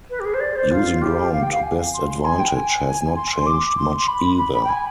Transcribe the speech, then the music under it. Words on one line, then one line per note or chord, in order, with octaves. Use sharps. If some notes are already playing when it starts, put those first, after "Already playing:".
Using ground to best advantage has not changed much either.
B4
G4
G#4
C5
D5
C5
F4
G4
F5
G5
F5
G#5
C6
C6
G#5
G5
G#5
C6
C6
D6
C6
C6
B5
B5
B5
G5
G#5